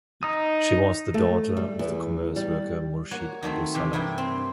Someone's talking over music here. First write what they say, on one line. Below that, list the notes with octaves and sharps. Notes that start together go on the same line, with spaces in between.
She was the daughter of the commerce worker Murshid Abu Salah.
D#4 D#6
A3
G3
E2
G3
A#3 F#4 C#5
D#3 F#3 A3 C4
C3 E3 G4
G2 C3 E4 A#4 G5
C4